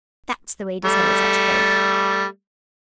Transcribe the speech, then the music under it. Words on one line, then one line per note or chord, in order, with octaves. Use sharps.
"That's the way to settle such folk!"
G3 A3